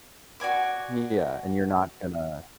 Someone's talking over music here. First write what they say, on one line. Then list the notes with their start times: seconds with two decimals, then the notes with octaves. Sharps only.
Yeah, and you're not gonna
0.40 F#4 D5 G#5 D6